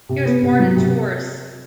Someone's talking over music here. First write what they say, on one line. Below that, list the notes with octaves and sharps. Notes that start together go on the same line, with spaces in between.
He was born in Tours.
C3
B3
C3
F#3
C3